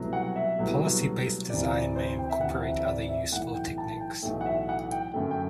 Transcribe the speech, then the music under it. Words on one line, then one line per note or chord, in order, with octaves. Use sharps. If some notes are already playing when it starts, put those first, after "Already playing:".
Policy-based design may incorporate other useful techniques.
Already playing: C2 B2 F#3 A3
F#5
E5
C2 B2 F#3 A3
D2 C3 E3 D5
D5
C5
G5
E5
D2 C3 E3 F#5
E5
E5
D5
E5
B1 A2 E3 A3 F#5
G5
A5
G5
B1 A2 E3 A3
F#5
E5
F#5
G5
F#2 D3 A3
G5